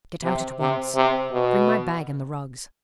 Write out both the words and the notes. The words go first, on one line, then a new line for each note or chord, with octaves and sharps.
Get out at once! Bring my bag and the rugs!
C3
C3
C3
B2